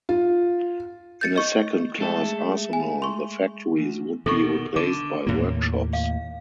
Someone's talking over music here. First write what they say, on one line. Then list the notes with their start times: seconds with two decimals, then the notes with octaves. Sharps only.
In a second-class arsenal, the factories would be replaced by workshops.
0.09 F4
1.21 G6 A6 C#7
1.36 D#5 C#6
1.98 G#3 A3 A4
2.73 G#5
3.02 C6 C#6
3.78 E2
4.26 B2 D#3 A4 C#6
4.76 D3 D6
5.27 D#2 A2 A#3
5.93 F5